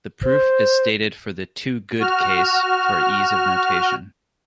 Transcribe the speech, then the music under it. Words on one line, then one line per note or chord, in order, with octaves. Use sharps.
The proof is stated for the two-good case for ease of notation.
C5
F#4 F6